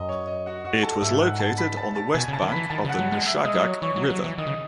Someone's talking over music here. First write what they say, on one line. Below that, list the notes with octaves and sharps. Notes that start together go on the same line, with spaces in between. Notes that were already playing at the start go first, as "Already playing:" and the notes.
It was located on the west bank of the Nushagak River.
Already playing: F#2 D#5
C#5
D#5
F#4 F#5
F#4 F#5
A4 A5
G#2 E5 E6
F#5 F#6
A5 A6
B5 B6
A5 A6
A5 A6
B2 G#5 G#6
C#3 A5 A6
D#3
E3 B5 B6
D#3 A5 A6
C#3 F#5 F#6
F#3
G#3
E5 E6
G#3 D#5 D#6
F#3
C#5 C#6
E3 C#5 C#6
F#3
F#3
E3
D#3 D#5 D#6
C#3